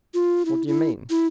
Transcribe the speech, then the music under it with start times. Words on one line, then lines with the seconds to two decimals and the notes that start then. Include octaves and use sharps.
"What do you mean?"
0.14 F4
0.46 E4
0.67 E4
1.10 E4